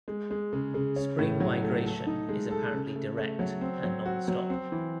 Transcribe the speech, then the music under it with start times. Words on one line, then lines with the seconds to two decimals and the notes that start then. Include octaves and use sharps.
Spring migration is apparently direct and non-stop.
0.08 G#3
0.31 G#3
0.53 C#3
0.74 C#3
0.96 C#4
1.19 A2
1.40 F#3
1.62 A3
1.85 A4
2.07 D#4
2.29 G#3
2.51 A4
2.73 C#3
2.95 A3
3.17 A3
3.39 F#3
3.61 C4
3.83 F#3
4.05 F#4
4.28 F#3
4.50 C4
4.72 E3